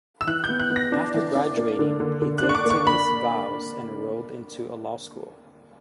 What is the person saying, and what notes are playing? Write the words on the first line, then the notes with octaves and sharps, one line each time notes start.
After graduating he didn't take his vows and enrolled into a law school.
E6
E3 F#6
G6
B3
F#6
B3
A#6
D4
E3
D4
A#3
D3
D3
D3
D4 F#6
C#6
D6
A#3
C#6
A#3 B5